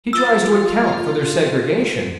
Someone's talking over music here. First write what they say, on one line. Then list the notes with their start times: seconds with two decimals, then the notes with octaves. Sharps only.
He tries to account for their segregation.
0.13 F4 E6 A6